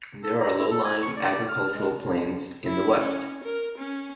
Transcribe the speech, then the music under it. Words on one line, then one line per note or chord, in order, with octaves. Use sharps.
There are low-lying agricultural plains in the west.
A4
A#5
E4
A4
G#5
C#6
D5
D5
F6
G#3
E4
C#4
A#4
C#4